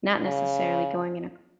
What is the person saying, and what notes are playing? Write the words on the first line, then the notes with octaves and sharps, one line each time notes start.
not necessarily going in a
C#3